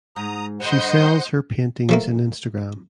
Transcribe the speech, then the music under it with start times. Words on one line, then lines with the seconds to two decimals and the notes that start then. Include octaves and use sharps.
She sells her paintings in Instagram.
0.16 G#2 A#5 D#6
0.60 G2 D3 C5 D#5 F#5 C6 G6
1.89 F3 A3 A#3